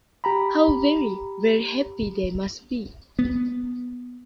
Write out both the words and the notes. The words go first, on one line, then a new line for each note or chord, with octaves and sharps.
How very, very happy they must be!
G4 A#5 B5
B3